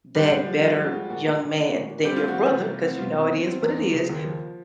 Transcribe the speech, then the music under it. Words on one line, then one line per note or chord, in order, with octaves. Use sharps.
that better young man than your brother, 'cause you know it is what it is,
D3 G3 G4
D3
F3
F3 F4
F3
F#4
G#3
A#2 F#4
A#3
A#2
A#3
A#2
A#2
G3 C4 G4
A3 F4
F#4
E3
C3
A3
C4
B2 F4
C4
E2
C4
E2
E2
C#3
D#2
F3